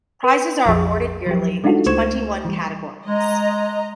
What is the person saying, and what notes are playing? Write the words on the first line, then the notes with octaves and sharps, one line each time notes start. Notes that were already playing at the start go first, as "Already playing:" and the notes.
Prizes are awarded yearly in twenty-one categories.
B4
A#1 F2 F3 G#4
F3 F#3 G4
G#3 D4 D#4 F4 F#4 A4
C#2 A3 C5 C#6 G#6 E7
E3 G3
G#3 D#5 A#5